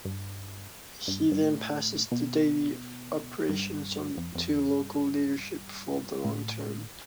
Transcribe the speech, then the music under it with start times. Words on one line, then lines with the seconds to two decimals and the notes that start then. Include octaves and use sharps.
He then passes the daily operations on to local leadership for the long term.
0.05 G2
1.08 G2
1.31 G2
1.42 A2
2.11 B2
3.49 G2
4.17 F2
4.35 F2
4.52 E2
4.69 G2
6.24 A2